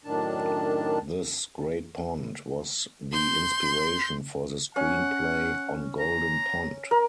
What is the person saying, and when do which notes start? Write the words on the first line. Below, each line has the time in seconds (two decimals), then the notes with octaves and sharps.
Thus Great Pond was the inspiration for the screen play "On Golden Pond".
0.05 F#2 A2 D#3 D4 A5
3.12 C6 G6
4.76 C#4 F#5
6.00 A#5
6.91 A#4